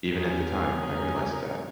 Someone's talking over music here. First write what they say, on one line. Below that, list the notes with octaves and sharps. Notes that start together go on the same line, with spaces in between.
Even at the time, I realized that.
E2 C#4 G#4 A#4